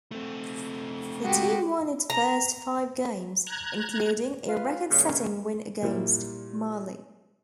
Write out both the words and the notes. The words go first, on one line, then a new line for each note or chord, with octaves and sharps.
The team won its first five games, including a record-setting win against Mali.
A3 C4
G#3 F#4 G4
A#5
A#5 F#6 G#6
F4 B4
G2 C#3 A#3 C#4
A#2 G3 A#3 E4